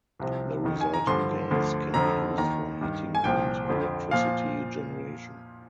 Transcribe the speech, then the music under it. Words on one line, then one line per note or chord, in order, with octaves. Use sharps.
The resulting gas can be used for heating and electricity generation.
C2 C3 F3
F2 D#3
G#5
A#5
G2 D3 F3 C6
D2 D3 F3
F2 D3 F3 A#5
D#2 D#3 A#5
G2 D#3
G#5
C2 A#2 F3 G5
F2 D3 F3
A#2 F3 F5